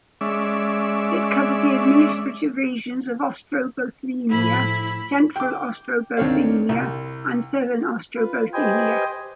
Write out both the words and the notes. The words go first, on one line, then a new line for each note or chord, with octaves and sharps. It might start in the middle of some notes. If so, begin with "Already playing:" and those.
It covers the administrative regions of Ostrobothnia, Central Ostrobothnia and Southern Ostrobothnia.
G#3 C#4 D5 E5
A2 F3 E4 B5
G5 D6
D#2 C4 D4 C#5 D5 F5
C2
F4 B4
G4 B4 C5 D#5 G5 G#5